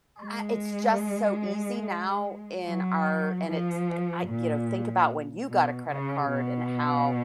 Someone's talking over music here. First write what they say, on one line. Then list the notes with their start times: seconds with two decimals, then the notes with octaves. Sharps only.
uh, it's just so easy now in our and it's I you know, think about when you got a credit card and how
0.22 G#3
2.65 F#3
3.47 F3
4.28 A#2
5.49 B2
5.90 C#3
6.31 B2